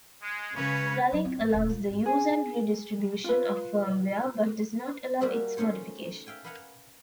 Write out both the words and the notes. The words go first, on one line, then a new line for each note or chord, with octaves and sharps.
Ralink allows the use and redistribution of firmware, but does not allow its modification.
G#3
C#3 G#3 C#4 F#4 B4 C#5
F#3
C4
A1
D#1
F4
G#1
G#4
F4 B4
G3 A#3 F4 F#4 G#4 E5
A3 C#4 D#4 C5 C#5
E5 F5 G5 G#5
B4 D#5 F5 F#5 G#5 A#5